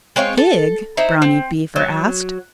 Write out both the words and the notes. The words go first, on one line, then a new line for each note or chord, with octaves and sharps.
"Pig?" Brownie Beaver asked.
G#3 C4 C#5 F5
A4
D#4 E4 C5
C4
F#3